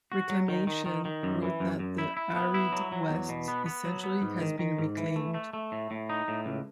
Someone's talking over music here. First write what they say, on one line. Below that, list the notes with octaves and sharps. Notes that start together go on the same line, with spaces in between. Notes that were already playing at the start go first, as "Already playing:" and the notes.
Reclamation wrote that The arid West essentially has been reclaimed.
F#4
F#3
D#3
D#3
D#3
D#3
F#2
E3
F#2
F#2
E4
E4
B3
E4
F#3
F#3
E2
B2
B3
B3
F#3
B3
G#2
D#3
D#3
G#2
E3
A3
A3
A3
A2
A2
D#4
A2
C#2